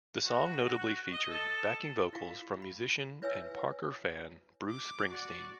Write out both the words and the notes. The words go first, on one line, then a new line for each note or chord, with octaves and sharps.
The song notably featured backing vocals from musician and Parker fan Bruce Springsteen.
F#4
D#5
A4
E4 F4 F5 C#6
B5
E4 B4 C#5 E5 G#5 E6
D6
F#4 D5